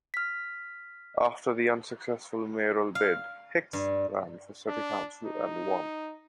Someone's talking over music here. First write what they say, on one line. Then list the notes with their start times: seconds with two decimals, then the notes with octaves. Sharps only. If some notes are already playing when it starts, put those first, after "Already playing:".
After the unsuccessful mayoral bid, Hicks ran for city council and won.
0.14 F6 B6
2.95 F5
3.73 G2
4.67 D4
5.23 D#4